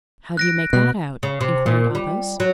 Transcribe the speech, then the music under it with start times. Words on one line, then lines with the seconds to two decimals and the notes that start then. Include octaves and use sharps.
"How do you make that out?" inquired Athos.
0.37 F#6 A#6 D7
0.73 B2 F#6
1.23 C#3
1.41 C3
1.66 A#2
1.95 G3
2.40 F#3